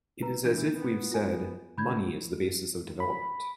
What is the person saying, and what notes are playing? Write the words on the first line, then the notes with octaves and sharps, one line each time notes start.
It is as if we have said, Money is the basis of development.
B4 A#5
E3 D4 G6
B3
F4 G#5
D3 B5 G6 G#6
B5